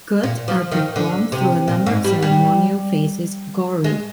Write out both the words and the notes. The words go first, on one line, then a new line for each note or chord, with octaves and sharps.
"Gut" are performed through a number of ceremonial phases, "gori".
A#2
F3
D#3
D3
C3
A#2
G#2
G3
G3
G#3